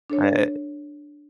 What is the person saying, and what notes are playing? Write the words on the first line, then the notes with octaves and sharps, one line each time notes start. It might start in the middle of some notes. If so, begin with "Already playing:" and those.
I it
D4 A4 C#5